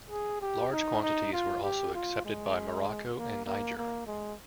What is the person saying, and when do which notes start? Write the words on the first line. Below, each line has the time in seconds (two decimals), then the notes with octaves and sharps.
Large quantities were also accepted by Morocco and Niger.
0.11 G#4
0.41 G4
0.72 D#4
1.02 D#4
1.33 F4
1.63 G4
1.94 F4
2.25 G#3
3.16 A#3
3.46 A#3
3.77 A#3
4.07 G#3